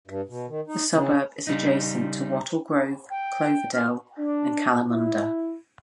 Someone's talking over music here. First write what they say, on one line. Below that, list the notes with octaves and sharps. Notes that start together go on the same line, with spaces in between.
The suburb is adjacent to Wattle Grove, Cloverdale and Kalamunda.
G2
B2
D#3
D#4
C#3
C#3 G3 D#4
G5
F6
D4
E4